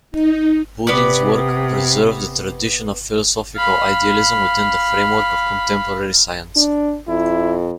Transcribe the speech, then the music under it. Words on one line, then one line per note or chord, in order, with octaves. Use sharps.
Boodin's work preserved the tradition of philosophical idealism within the framework of contemporary science.
D#4
C3 B3 B4 D5
F5 B5
D4
F2 E4